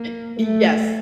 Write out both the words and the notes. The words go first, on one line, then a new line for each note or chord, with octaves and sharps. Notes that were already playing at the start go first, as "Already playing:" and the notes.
Eh y yes.
Already playing: A#3
A3